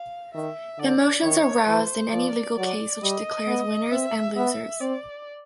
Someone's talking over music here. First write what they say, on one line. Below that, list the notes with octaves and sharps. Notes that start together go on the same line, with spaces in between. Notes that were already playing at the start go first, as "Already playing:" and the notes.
Emotions are roused in any legal case which declares winners and losers.
Already playing: F5
D#3 E5
D3 D5
D#3 C#5
E3 C5
F3 D5
F#3 D5
G3 D#5
B3
C4 E5
B3 E5
C4 D5